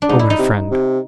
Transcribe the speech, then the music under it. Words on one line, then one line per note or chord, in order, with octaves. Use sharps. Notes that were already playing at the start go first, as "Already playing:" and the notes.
Oh, my friend!
D4
G#2 D#4
E4
D#4
C3
C3